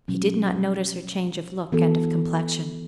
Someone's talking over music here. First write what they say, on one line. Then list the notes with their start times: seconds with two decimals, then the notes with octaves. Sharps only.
He did not notice her change of look and of complexion.
0.08 B2 F#3 C#4
1.72 E3 B3 F#4 A4